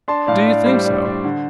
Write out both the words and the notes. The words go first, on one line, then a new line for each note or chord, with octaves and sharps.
"Do you think so?"
D4 A5 C6
A2 D5 F5
D4 D5
G3 C5
D4
D4
D3